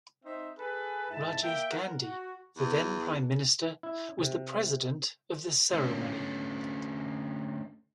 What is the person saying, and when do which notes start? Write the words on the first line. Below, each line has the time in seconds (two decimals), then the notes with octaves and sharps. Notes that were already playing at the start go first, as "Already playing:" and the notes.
Rajiv Gandhi, the then prime minister was the president of the ceremony.
0.24 C4 D#4 C5 E5
0.57 G#4 A4 B4
1.11 G#2 E4 A5
1.42 A#3 E5 G5
1.71 A#4 F#5
2.03 F#4
2.57 E2
3.83 E4
4.19 C3
5.73 D3 A3 C#4